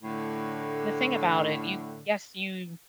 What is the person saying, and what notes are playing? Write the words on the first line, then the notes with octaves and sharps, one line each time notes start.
the thing about it, you yes, you
A2 D3